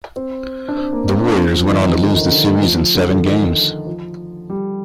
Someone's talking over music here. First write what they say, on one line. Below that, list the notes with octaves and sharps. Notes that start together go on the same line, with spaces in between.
The Warriors went on to lose the series in seven games.
C4
D4
C4
A#3
C4
D4
C4
F3
D#3
F3
D3
D#3
D3
A3
F3
D3
D3
D#3
F3
G3